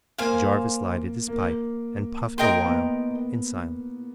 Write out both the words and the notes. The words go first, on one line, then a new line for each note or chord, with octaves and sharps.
Jarvis lighted his pipe and puffed a while in silence.
A#3 C5 F5 G#5
A#3
A#3 A#4 D#5 G5 C6
B3